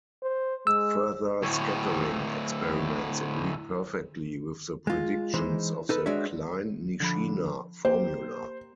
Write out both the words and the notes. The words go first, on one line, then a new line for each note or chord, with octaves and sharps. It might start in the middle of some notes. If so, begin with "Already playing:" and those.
Further scattering experiments agreed perfectly with the predictions of the Klein-Nishina formula.
C5
G#3 E6
D2 A2
G#3 F4
E3 G#3 D#4 C5
D#4 A4 B4
G#3 D4 F#4 C#5 E5
D3 F3 B5
A#3 G4 C5